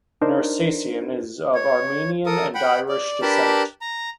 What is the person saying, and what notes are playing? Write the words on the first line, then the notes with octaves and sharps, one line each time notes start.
Nersesian is of Armenian and Irish descent.
D4 D#4 A#4 C5
C#5
A4 A#4 D#6
F#5 G5 B5
D5
D4 G4 A#4 B4 A5 B5
A#5